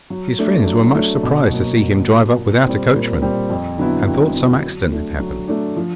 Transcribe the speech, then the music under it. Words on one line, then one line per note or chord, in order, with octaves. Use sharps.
His friends were much surprised to see him drive up without a coachman, and thought some accident had happened.
F#3
A3 D4
F#3
A3 D4
B2
F#3 A#3
B2
F#3 A#3
A#2
G3 C4
A#2
G3 C4
F2
D3 F#3 B3 E4
F2
D3 F#3 B3 E4
F#3
A3 D4
F#3
A3 D4
F3